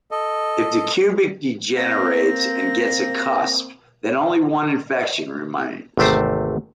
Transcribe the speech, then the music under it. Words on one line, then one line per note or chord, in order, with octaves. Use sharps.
If the cubic degenerates and gets a cusp then only one inflection remains.
A4 D#5
A#3 C4 A#6
G#1 E2 C3 A3 G4 C5